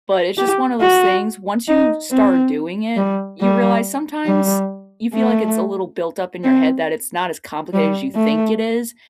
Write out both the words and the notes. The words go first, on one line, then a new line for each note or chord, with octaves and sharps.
but it's just one of those things. Once you start doing it, you realize sometimes you feel like it's a little built up in your head that it's not as complicated as you think it is,
G4
F#4
D#4
C4
G3
G3
G3
A3
C4
G3
A3